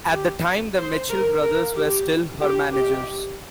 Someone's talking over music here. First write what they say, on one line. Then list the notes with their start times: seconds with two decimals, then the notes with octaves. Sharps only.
At the time the Mitchell Brothers were still her managers.
0.11 G4
0.77 C5
1.09 A#4
1.42 A#4
1.75 G4
2.41 G4
2.73 G4